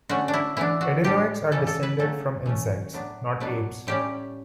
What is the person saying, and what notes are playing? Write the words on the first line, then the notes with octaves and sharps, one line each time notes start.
Edenoites are descended from insects, not apes.
D3 A3 C#4 F#4
D4
E4
E3 B3 D4 E4
F#4
A2 G3 D4 G4
C#3 E3 G3 A4
A4
B4
C#3 F#3 A3 A4
E3 A3 C#4
A2 F#3 B3 D4
B2 F#3 B3 D4
A2 G3 C#4 G4